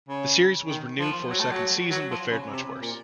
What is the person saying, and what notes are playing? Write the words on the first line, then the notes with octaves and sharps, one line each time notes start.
The series was renewed for a second season but fared much worse.
C#3
D#3
F3
F#3
A3
F#3
F#3
F3
C#3
C3
A#2